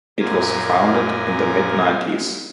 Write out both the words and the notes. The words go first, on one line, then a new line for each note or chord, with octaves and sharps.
It was founded in the mid-nineties.
F#2 A#2 A#4 G#5